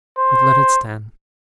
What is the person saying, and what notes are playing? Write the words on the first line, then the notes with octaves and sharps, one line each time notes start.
But let it stand.
C5